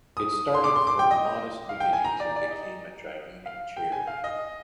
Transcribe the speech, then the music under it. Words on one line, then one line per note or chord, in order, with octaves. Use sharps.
"It started from modest beginnings and became a gigantic charity".
D#6
C6
D6
C6
D6
G5
D#5
F5
G5
G#5
A#5
D5
D5
D#5
F5
G5
G#5
F5
D#5